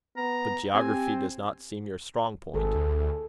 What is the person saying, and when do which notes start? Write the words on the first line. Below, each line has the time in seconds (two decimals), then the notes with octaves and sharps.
"But geography does not seem your strong point."
0.17 B3 A#5
0.74 C4 G4 G#5
2.54 G#1 G#4 A4
2.75 D2